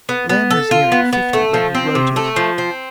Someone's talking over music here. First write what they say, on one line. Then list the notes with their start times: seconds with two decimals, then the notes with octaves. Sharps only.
Lamb was nearing fifty when he wrote it.
0.09 B3
0.29 B3
0.50 A4
0.71 F4
0.92 B3
1.13 B3
1.33 A3
1.54 F3
1.75 C4
1.95 C3
2.16 A3
2.36 F3
2.58 C4